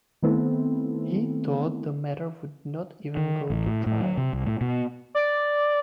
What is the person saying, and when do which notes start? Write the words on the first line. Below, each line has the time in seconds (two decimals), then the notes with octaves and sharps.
He thought the matter would not even go to trial.
0.22 D#3 A3 B3 C4 E4 A4
3.17 D#3
3.50 A1
3.67 A2
3.86 A2
4.00 F#3
4.17 C3
4.33 C2
4.46 A2
4.61 B2
5.15 D5